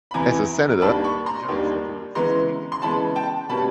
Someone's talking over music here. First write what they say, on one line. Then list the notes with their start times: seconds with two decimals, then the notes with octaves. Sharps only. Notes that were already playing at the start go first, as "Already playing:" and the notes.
As a senator, Johnson proved extremely popular.
0.11 B5
0.14 E2 C3 E3 G#5 A#5
0.82 D#2 D#3 G3 A#3 D4 A5 B5
1.04 B5 C#6
1.26 A#5 C6
1.48 D#2 D#3 G3 A#3 D4
2.15 C#3 E3 G#3 B3 A#5 C6
2.72 C6
2.82 C#3 E3 G#3 B3 A5 B5
3.15 G5 A5
3.49 B2 G3 A#3 C#4 A5 B5